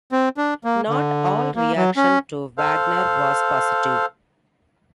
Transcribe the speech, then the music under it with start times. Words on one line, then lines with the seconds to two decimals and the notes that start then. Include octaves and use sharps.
Not all reaction to Wagner was positive.
0.12 C4
0.37 D4
0.64 A#3
0.89 D3
1.56 A#3
1.76 F#3
1.97 C#4
2.58 A4 C5 F5